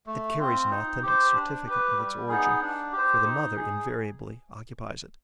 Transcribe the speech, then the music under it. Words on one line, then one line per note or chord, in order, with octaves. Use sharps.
It carries an authentic certificate of its origin, for the mother invariably occupies it.
A3
C4 F4
D#4
G4 C5
D4
G4 B4
G3
B3 D#4 G#4
D4
G4
C5
D#4
G#4